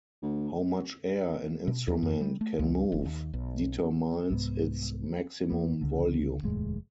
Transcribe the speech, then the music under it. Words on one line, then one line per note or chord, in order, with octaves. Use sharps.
How much air an instrument can move determines its maximum volume.
D2
B2
D#2
F2
G3
A3
C#2
F1
D#2
B1
C2 G#2 B3
E2 A#3 B3
C#2 D3
F1 D#2 A2 G#3